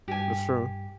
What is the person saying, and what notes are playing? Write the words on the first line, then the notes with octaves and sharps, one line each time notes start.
that's true.
G2 G4 G#5